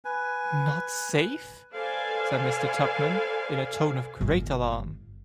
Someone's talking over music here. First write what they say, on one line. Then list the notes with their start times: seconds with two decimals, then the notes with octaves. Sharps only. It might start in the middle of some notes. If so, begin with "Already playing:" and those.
'Not safe?’ said Mr. Tupman, in a tone of great alarm.
0.05 B4 G#5
1.71 A4 B4 C5 D5 F5 G#5
4.21 G1